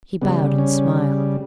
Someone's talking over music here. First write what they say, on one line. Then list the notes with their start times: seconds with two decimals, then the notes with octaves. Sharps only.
He bowed and smiled.
0.21 C#3 G3 B3
0.58 C#4